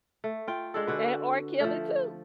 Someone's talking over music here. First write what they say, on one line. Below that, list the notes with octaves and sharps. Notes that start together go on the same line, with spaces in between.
And R. Kelly too.
A3
F4 G5
G#3 D4 A4
D3 F#4 B4
F3 A3